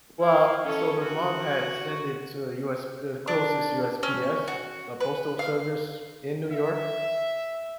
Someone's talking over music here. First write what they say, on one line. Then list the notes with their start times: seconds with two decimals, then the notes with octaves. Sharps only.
well, so the mom had send it to the US the closest USPS, the postal service in New York.
0.20 E4 F5
0.64 C#4 A4
1.03 F#4
3.28 D4
4.03 C#4
4.48 F#4
5.00 B4
5.39 F5
6.51 E5